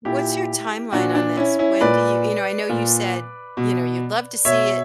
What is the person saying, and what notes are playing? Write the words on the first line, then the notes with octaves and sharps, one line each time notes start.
What's your timeline on this? When do you you know, I know you said, you know, you'd love to see it
A#2 E4 G4
A#2 D4 F#4
D4
C#4 E4
C#4 E4
A#2 B4 D5
A#2
B2
B2 C#5 E5